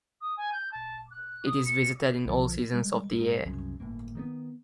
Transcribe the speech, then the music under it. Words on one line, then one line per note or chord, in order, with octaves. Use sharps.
It is visited in all seasons of the year.
D#6
G#5
G6
A5
F#6
D#6
C#7
B1 D3 F3
G3 G#3
G#2
C2 F#2 C#3
G1 A2 A#3
D#3 G3 B3